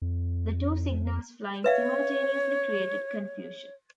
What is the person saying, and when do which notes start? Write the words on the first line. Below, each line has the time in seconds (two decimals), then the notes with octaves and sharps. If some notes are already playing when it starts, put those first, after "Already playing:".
The two signals flying simultaneously created confusion.
0.02 F2
1.64 B4 C#5 E5 F5